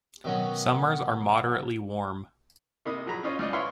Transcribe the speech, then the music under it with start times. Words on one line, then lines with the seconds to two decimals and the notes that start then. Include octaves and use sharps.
Summers are moderately warm.
0.24 B2 D#3 F#3 B3 C#4
2.85 C3 A#3 D#4 B5 D#6
3.06 F3 F#3 G#4 A#5 B5
3.23 C#4 D#4 F4 C5 C#5
3.39 C#2 F4 D5 D#5
3.53 E4 B4 C#5 E5 F5 C6